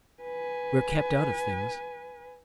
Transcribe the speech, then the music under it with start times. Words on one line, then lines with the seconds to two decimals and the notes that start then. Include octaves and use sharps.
We're kept out of things.
0.23 B4 G#5